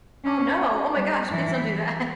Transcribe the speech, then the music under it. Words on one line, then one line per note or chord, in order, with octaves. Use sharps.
Oh, no. Oh my gosh please don't do that.
C#4
G3
E3